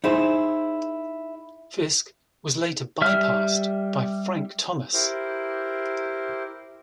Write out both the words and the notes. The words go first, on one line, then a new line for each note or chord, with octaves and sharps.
Fisk was later bypassed by Frank Thomas.
D#4 E4 G#4 C5
G3 E5 F6
E4 G4 A#4 C5